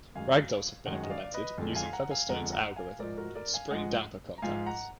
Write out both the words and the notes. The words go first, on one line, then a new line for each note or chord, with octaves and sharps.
Ragdolls have been implemented using Featherstone's algorithm and spring-damper contacts.
F#2 D#3 G#3 F5 G#5
F#2 D#3 G#3 D#5 F#5
D#5
D5 F5
D5
B4 D#5
F2 D3 G#3
F5 G#5
F#5 A#5
F5 G#5
F2 D3 G#3 F#5 A#5
F#5 A#5
F5 G#5
G#2 F3 G#3 A#4 D5
F#4 A#4
A#4 D5
F5 G#5
G#2 F3 G#3 D#5 F#5
A#5
G#2 F3 G#3 F5 G#5
F#5 A#5